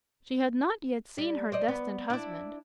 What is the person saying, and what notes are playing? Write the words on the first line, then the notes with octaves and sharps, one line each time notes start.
She had not yet seen her destined husband.
G3
C5 D5 D#5
B3
D4 E4